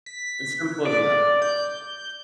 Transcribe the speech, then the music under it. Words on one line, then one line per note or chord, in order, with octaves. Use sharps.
It's simple as that.
B6
D5
G6